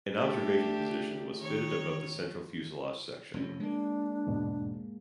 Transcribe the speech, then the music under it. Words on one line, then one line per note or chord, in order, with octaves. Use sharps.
An observation position was fitted above the central fuselage section.
A3 D4 G4
D#3 C#5
F1 F2 C#4
G#3 A#3 D4
E2 G#2 B2